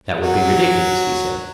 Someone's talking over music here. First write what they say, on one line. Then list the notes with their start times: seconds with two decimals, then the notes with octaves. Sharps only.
That would be ridiculous, he said.
0.20 F#3 F#4